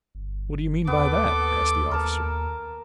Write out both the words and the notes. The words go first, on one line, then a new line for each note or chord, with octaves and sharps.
"What do you mean by that?" asked the officer.
G1
D#2 B3 A4 D6
A#4 A5